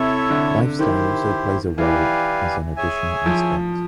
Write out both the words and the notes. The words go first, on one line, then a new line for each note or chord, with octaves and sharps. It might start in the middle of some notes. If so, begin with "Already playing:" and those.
Lifestyle also plays a role as an additional aspect.
Already playing: C3 E4 A4 C#5 E5
D3
D#3 E4 G4 C5
E3 G4 B4 D5 F5 G#5
G#4 C#5 E5 G#5
F3